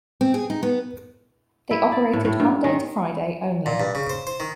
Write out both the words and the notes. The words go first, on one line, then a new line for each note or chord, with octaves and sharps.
They operated Monday to Friday only.
C4
G#4
D#4
B3
E4
D5
A2
A2
G2
D#3
A#2
G2
C#3
C5
C5
D#3